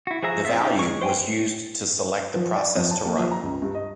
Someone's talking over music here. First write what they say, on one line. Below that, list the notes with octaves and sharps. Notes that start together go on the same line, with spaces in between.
The value was used to select the process to run.
E4 F#4
F3 F#4 G#4 E5 A#5
C4 F4 E5
C#4 D#4 G4
G#3 C#6
C5 G5 G#5
F3
D5
F2
A5
A#3
F3
A#5
C#2
G2
D#5